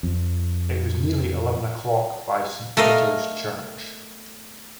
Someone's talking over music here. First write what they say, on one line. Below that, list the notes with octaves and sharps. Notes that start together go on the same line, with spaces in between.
It was nearly eleven o’clock by St. Peter’s Church.
F2
A3 A#4 D#5 F5